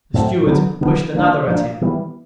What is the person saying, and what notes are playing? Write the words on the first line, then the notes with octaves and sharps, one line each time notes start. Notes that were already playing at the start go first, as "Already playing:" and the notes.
The stewards pushed another at him.
A2 F#3 A3 C4
D3 F#3 B3
D3 F#3 B3
F3 A#3 D4
F3 A#3 D4
E3 G3 B3